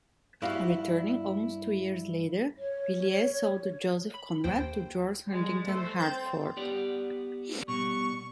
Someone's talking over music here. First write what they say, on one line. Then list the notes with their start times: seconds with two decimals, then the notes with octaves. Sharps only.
Returning almost two years later, Villiers sold the "Joseph Conrad" to George Huntington Hartford.
0.42 G2 E4 F#4 G4 F5
2.57 C#5
4.14 B5
4.44 D#2 C5 G5
5.26 G3 G#3
5.68 A3 A4 C5
6.00 C4 G6 A6
6.57 B3 G4 D5
7.68 B2 G3 C#6